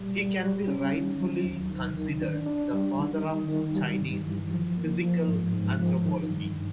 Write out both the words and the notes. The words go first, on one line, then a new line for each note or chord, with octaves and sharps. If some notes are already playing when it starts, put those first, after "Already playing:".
He can be rightfully considered the father of Chinese physical anthropology.
Already playing: A#2 G3
G3
G3
C#4
D#3
F#3
D#2
D#3
D#3
D4
D4
G3
D#3
D#3
D#3
G3
G2
E3
F3
A#3
F3
G#2
G#2
F3
D#3
G2